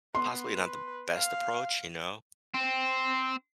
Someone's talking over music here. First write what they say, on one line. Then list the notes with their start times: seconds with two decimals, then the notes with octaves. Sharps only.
possibly not the best approach, you know,
0.15 B3 C6
0.53 B4
1.15 F5
2.54 C4